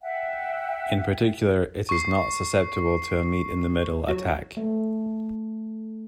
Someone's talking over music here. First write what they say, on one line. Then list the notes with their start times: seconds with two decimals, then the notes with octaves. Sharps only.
In particular, it is not susceptible to a meet-in-the-middle attack.
0.01 E5 F#5 G5
1.89 C#6 C7
4.08 F#3
4.57 A3